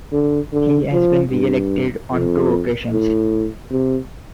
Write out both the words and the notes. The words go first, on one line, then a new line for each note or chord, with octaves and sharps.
He has been re-elected on two occasions.
D3
D3
F3
G2
F2
A2
C3